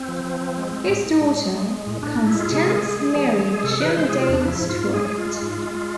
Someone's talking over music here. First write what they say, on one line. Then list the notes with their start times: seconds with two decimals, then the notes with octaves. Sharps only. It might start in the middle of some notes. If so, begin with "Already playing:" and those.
His daughter Constance married John David Stewart.
Already playing: C4
0.08 F3
0.24 F3
0.41 F3
0.57 G#3
0.73 G#3
0.89 A2
1.06 A2
1.21 G#3
1.38 G#3
1.54 G#3
1.70 G#3
1.87 A2
2.03 A2 D4
2.19 A2
2.27 E4
2.35 G#3 F4
2.51 C3 G#4
2.65 G#3 F4
2.76 G#4
2.83 G#3
3.00 G#3
3.16 E3
3.32 G#3
3.48 G#3 G#4
3.64 C3 A4
3.80 E3 B4
3.96 G#3 C5
4.09 C3 G#4
4.21 F4
4.29 E2 D4
4.41 D4
4.45 F3 E4
4.61 G#2
4.69 F4
4.78 G#2
4.94 G#3 G#4
5.10 G#3
5.18 F4
5.26 G#3
5.42 G#2
5.58 G#3
5.75 G#3